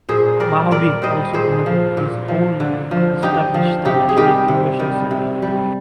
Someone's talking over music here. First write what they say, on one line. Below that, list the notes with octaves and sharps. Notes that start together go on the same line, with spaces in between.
Mahabir also donated his own land to establish the National Innovation Center.
A#2 G#4 C5
G3 A#4 D5
A#2 A#4 D5
G3 C5 D#5
A#2 G#4 C5
F3
A#2
F3
D3
F3
D3 D#4 G4
F3
C3 D#4 G4
G#4
D#3 G3 D#4 G4
C3
D#3 G3
C3
G3